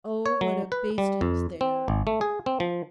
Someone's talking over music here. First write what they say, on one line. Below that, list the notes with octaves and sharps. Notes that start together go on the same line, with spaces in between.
Oh, what a basting's there!'
C#5
F#3
B4
G3
F2
C4
G#1
A3
G#4
C4
F3